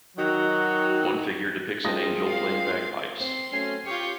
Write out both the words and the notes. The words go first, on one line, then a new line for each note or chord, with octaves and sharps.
One figure depicts an angel playing bagpipes.
D#3 F#3 D#4 F#4
G#3 C4 F4 D#6 A#6
F5 C7
C4 C6 C7
F#3 A3 C#4
F4 G4 C#5